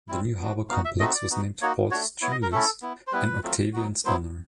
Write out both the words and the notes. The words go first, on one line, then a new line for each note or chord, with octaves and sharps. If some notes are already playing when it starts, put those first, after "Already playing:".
The new harbor-complex was named Portus Julius in Octavian's honour.
G3 C4 E4
B3 D4 F#4
B3 D#4 F#4 F5
E5
A3 C4 D#4 F#4 D#5
D5
B3 D#4 F#4
A#3 D#4 F#4 C#5
A3 D4 F#4 C#5
B3 E4 C#5
D#5
A#4
A3 C#4 E4 A4
B3 E4
C5
G3 B3 E4 B4
F#3 A3 C4 F4
F#3 B3 D#4 F#4
F#3 B3 E4 C5